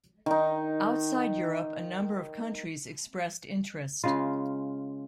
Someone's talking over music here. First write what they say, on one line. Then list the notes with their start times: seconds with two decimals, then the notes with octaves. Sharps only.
Outside Europe a number of countries expressed interest.
0.26 D#3 D#4
4.04 C#3 G#3 F4